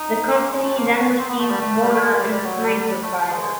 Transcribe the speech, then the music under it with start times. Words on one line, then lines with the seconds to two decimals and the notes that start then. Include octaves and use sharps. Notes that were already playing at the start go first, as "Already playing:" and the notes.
The Company then received mortar and sniper fire.
Already playing: D#4
0.33 A#3
0.48 G#3
0.62 A3
0.76 A#3
0.87 D4
0.97 C#4
1.19 C4
1.29 B3
1.40 A3
1.50 G3
1.61 A3
1.83 G3
1.94 A3
2.03 G#3
2.18 G3
2.32 G3
2.46 F#3
2.67 G3
2.89 G3
3.03 A3
3.17 A3
3.32 G#3
3.42 G#3